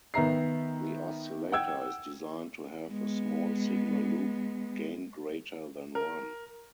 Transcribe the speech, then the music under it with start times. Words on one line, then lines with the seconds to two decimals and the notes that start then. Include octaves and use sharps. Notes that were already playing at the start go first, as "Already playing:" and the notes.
The oscillator is designed to have a small-signal loop gain greater than one.
0.14 D#3 B3 E5 A#5 C7
1.52 F#5 G5 E6 G#6
2.88 G#3 B3
5.95 A#4